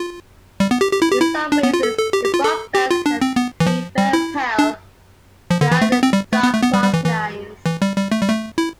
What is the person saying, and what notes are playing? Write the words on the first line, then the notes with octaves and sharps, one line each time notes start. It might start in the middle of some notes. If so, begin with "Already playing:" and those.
In some races the buff bands can be very pale.There are dark crosslines.
Already playing: F4
G3
B3
G4
G4
E4
G4
E4
D4
B3
F4
A4
A4
G4
G4
F4
A4
G4
F4
D4
C4
B3
E3
F3
G3
E4
D4
F3
D3
E3
A3
B3
C4
G3
A3
B3
A3
B3
G3
G3
E3
E3
E3
G3
G3
A3
G3
A3
E4